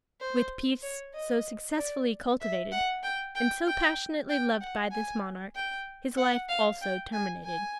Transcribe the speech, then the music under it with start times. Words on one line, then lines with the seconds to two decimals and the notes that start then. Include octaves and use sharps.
With peace, so successfully cultivated, and so passionately loved by this monarch, his life also terminated.
0.21 C5
0.83 C#5
1.14 D#5
1.77 D5
2.41 E5
2.72 F#5
3.03 G5
3.35 G5
3.67 G5
4.29 G5
4.61 F#5
4.92 G#5
5.56 G5
6.17 F#5
6.49 F5
6.81 G5
7.13 G#5
7.44 G#5